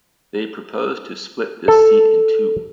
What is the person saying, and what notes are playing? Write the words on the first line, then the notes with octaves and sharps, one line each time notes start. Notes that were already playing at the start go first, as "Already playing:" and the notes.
They proposed to split this seat into two.
A4